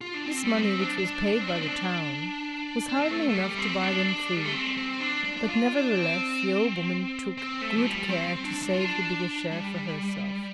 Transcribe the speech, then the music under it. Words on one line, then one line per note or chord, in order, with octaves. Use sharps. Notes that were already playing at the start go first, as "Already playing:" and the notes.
This money, which was paid by the town, was hardly enough to buy them food, but nevertheless the old woman took good care to save the bigger share for herself.
F4
D4
C4
G3
C4
D4
D4
D4
C4
D4
C4
D4
D4
C4
A3
A3
G3
C4
D4
G3
A3
C4
C4
D4
D4
D4
F4
D4
C4
C4
A3
F3
G3
C4
C4
D4
D4
F4
D4
G3